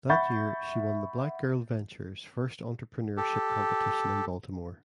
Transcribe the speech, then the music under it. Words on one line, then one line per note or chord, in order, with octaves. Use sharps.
That year she won the Black Girl Ventures first entrepreneurship competition in Baltimore.
E5 F#5 B5 C#6 G6 A6
G4 A4